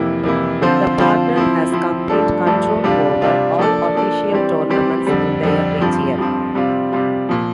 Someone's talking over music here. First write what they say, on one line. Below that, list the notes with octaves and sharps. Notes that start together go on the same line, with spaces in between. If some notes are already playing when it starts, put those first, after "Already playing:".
The Partner has complete control over all official tournaments in their region.
Already playing: F2 C3 E3 A#3 E4
F2 C3 E3 A#3 E4
D3 F3 C4 F4 C5
D3 F3 C4 F4 C5
F3 C4 E4
F3 C4 E4
G2 F3 A3 D4 A4
G2 F3 A3 D4 A4
C3 G3 D4 F4
C3 G3 D4 F4
F3 A#3 D4 A4 D5
F3 A#3 D4 A4 D5
E3 G3 C4 G4 D5
E3 G3 C4 G4 D5
F2 D3 G3
F2 D3 G3
G2 F3 C4
G2 F3 C4
C3 G3 C4 F4
C3 G3 C4 F4
A#2 F3